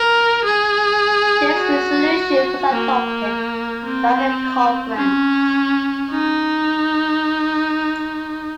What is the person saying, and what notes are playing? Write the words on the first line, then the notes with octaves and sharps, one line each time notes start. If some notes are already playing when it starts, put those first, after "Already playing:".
This resolution was adopted by the conference.
Already playing: A#4
G#4
F#4
A#3
C4
C#4
D#4